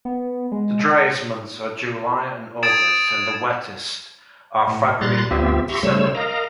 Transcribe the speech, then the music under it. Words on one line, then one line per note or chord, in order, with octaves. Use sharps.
The driest months are July and August and the wettest are February and December.
B3
G#3
D#6 G#6 A6 D7 E7
A2
A#2 G3 A#5 C6 F#6 A6
D2 B3 C4 F4 G4 E5
G4 E5 A#5 C6 C#6
C#3 G3 A3 C5 C#5 E6
A#4 D#5 F5 A#5